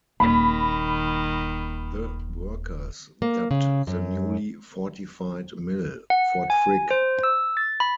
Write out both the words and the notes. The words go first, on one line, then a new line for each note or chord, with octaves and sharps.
The workers dubbed the newly fortified mill Fort Frick.
D#1 D#3 A#3 B5
A#3
C#3
F#2
F#5
G#5
C5
E6
A6
B5